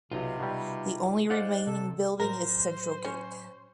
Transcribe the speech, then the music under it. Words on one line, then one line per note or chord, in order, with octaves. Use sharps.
The only remaining building is central gate.
B1 C3 D#4 F4
B2 G3
D#4 C5 D5 D#5 F5 F#5
C3 A4
A2 F#3 A#4 C5
C#4